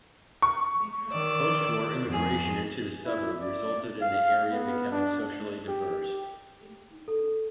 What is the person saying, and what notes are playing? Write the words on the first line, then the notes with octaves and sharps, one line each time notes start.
Postwar immigration into the suburb resulted in the area becoming socially diverse.
C#6
D#3 D5 E6
F2 G#4
E4
D5
F5
B3
D4
G4
A4